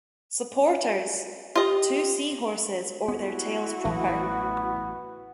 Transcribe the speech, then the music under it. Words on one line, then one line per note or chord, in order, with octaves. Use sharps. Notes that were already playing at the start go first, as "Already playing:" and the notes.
"Supporters": Two Seahorses Or their Tails Proper.
F4 G4 D#5
B3 E4 F#4
A1 E3 F#3 B3